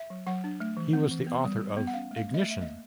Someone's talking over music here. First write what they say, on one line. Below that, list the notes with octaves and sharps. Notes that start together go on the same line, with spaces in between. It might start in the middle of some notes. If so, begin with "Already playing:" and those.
He was the author of Ignition!
Already playing: E5
F#3
F#3 F#5
D4
A3
E3
C4
E3
B3
G3
G3
B3
F#5
C#4 F5
A3
F5
A3
D#5
E5
A3
E5
A#3 D#5